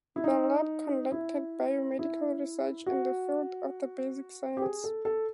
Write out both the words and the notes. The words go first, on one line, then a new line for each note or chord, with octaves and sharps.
The lab conducts biomedical research in the fields of the basic sciences.
E4
D#4
E4
E4
F#4
G4
G#4
A4
A4